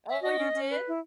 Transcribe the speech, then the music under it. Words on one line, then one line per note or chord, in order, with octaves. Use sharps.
Oh, you did?
E5
F#4 D#5
C#4
C#4
B4
E4